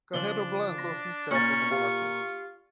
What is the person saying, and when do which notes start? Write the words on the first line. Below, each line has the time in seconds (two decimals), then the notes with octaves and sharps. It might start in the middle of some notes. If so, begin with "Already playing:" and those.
Carrero Blanco himself was a monarchist.
0.14 C#3 F3 D4 F#7 G7
0.78 A#6
1.31 A#2 C#4 C#6 F6 A6
1.71 F4 G4 F5